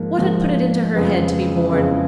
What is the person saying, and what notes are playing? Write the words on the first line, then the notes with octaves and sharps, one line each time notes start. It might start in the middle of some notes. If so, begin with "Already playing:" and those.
What had put it into her head to be born?
Already playing: G#2 F3 A#3
G#2 F3 A#3
F2 C#3 G#3 B3
F2 C#3 G#3 B3